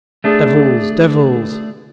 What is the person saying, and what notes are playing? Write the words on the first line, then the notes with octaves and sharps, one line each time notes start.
Devils! Devils!
A3 D4 G#4